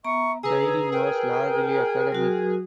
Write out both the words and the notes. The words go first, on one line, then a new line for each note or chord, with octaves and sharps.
Training was largely academic.
B3 E5 A#5 C#6
C#3 G#4 B4 A#5 E6
G#4 A#4 G5
F#3 F#4